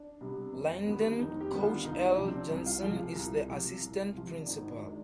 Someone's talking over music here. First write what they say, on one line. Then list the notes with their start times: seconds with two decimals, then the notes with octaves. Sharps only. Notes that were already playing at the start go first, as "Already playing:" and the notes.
Lyndon "Coach L" Johnson is the Assistant Principal.
Already playing: D4
0.21 C3 G3 B3
0.53 F1
0.86 D#2 D3 G3 B3
1.19 F1 D#4
1.40 G4
1.51 D#2 D3 G3 B3
1.62 F4
1.84 C2 D#4
2.06 D4
2.17 C3 F3
2.28 C4
2.49 C2
2.66 F4
2.82 C3 F3 G#4
2.98 F4
3.15 C2
3.48 C3 F3
3.80 C2
4.14 C3 F3
4.41 D4
4.46 G#1 D#4
4.68 D4
4.81 D#3 G#3